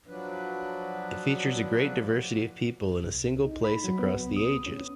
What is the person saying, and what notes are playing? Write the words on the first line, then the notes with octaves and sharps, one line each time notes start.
It features a great diversity of people in a single place across the ages.
F3 F#3 D4 B4
C2
D#4
B5
F#3
B3
C2
D#6
C#4